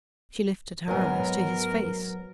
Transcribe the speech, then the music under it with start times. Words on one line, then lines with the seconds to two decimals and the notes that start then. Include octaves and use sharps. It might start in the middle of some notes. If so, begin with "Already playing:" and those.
She lifted her eyes to his face.
0.88 G#2 F#3 B3 A#4 D#5 G#5